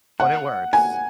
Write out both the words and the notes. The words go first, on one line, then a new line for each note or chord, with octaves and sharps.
but it works.
F#5
G#5